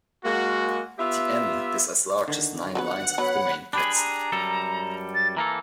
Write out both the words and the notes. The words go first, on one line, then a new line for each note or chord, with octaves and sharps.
The N is as large as nine lines of the main text.
G#3 A#3 F#4
B3 F4 G4 E5
D3 D#3
F#3 B3 B4 F#5
F#3 B3 C#5 B5
D4 G4 G#4 B5
A#5
F#2 G3 A4
A6
E3 A#3 A4 A#5